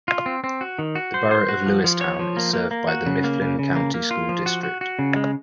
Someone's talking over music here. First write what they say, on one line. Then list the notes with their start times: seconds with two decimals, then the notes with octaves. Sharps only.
The Borough of Lewistown is served by the Mifflin County School District.
0.08 F4
0.26 C4
0.44 C4
0.61 F#4
0.79 D#3
0.95 F#4
1.14 C5
1.31 C5
1.49 F#4
1.66 F3
1.84 F3
2.01 C#5
2.19 F3
2.37 A#3
2.53 A#3
2.71 A#3
2.88 F#4
3.06 C#3
3.24 A#3
3.41 C#3
3.59 C#3
3.76 A#3
3.94 A#3
4.11 F4
4.29 F3
4.46 F#4
4.63 F#4
4.81 F#4
4.99 C#3
5.16 G#3